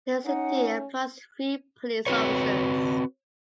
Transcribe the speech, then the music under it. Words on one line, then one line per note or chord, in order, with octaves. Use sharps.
The city employs three police officers.
C#4 D#4 F#5
C4 F#4 B4 C#5